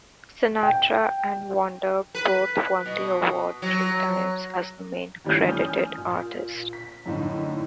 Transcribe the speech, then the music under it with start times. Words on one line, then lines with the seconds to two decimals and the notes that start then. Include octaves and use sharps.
Sinatra and Wonder both won the award three times as the main credited artist.
0.63 G5
2.15 B4
2.86 B2
3.62 F#3
5.24 D#3 E3 G3 A3 C#4 F4
5.48 G#5 D#6 F6 G6
5.97 A#2
6.73 B6
7.06 F#2 A2 D3 D#4